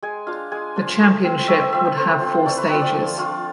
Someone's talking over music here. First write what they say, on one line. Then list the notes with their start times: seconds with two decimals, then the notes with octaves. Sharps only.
The championship would have four stages.
0.02 G#3 G#5
0.27 D4 F4 F5
0.52 G#3 G#5
0.76 D4 F4
1.00 A3
1.24 C4 F4
1.48 A3 E5
1.61 E5
1.72 C4 F4 E5
1.85 C5
1.97 A3 C5
2.21 C4 F4
2.46 A3 D5
2.57 B4
2.69 C4 F4 B4
2.82 D5
2.94 F3
3.18 A3 D4 F4